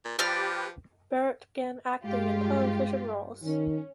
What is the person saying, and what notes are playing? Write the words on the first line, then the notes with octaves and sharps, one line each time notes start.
Barratt began acting in television roles.
A#2
F3 G4 B4 D5 F6
G2 G#3 F4 G4
D#3 C#4